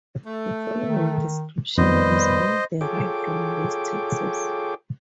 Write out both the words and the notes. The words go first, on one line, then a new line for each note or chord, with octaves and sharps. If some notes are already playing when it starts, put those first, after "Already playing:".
The following description has been derived from these texts.
A3
D#3
F2 A#2 D#3 G3 B3 B4 C5 D#5
F4 G#4 A4 C#5 G5 D6